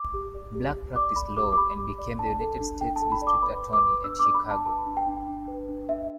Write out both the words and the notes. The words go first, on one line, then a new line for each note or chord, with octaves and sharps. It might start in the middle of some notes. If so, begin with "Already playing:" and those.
Black practiced law and became the United States District Attorney at Chicago.
Already playing: D6
G4
D5
G4
G4
D5 D6
D5 B5
G4 D6
D6
G4 B5
G4
D5
D4 A5
A4
D4
D4 G5
A5
A4
B5
D5
D6
B4 B5
B4
D6
B4
D4 E6
D6
D5
B5
D4
A5
B4 A5
D4
G5
D4
D4
B4
D4
D4 E5